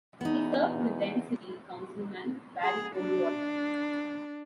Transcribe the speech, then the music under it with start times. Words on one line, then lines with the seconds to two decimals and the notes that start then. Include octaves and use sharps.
He served with then-City Councilman Barry Goldwater.
0.21 E2 B3 D#4
2.63 G#4
2.96 D4